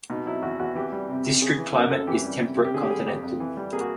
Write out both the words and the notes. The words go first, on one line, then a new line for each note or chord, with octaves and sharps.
District climate is temperate-continental.
B2 D#4
F#3 E4
E2 F#4
E2 F#4
E3 G4
G3
C3
C3
C#3 G#4
E3
F#2 A#4
F#2 A4
E3 G4
G3
C3
C3
G4
D3 G#4
G4
G3 G#4
F2 G4
F2
E3
G3
A#3 G#4
F#4